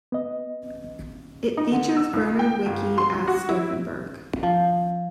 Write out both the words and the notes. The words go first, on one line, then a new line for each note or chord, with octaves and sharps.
It features Bernhard Wicki as Stauffenberg.
B3 D#5
D#4
D3
E6
C#2
G5
G1
C6
C#2
F#4
E4
F3